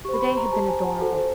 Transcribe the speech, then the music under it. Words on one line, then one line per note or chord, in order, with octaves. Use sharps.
The day had been adorable.
G4 C5 C#6
B5
C6
A#5
A#5
G4 C5 A5
G#5
F#5
F#4 A4 C5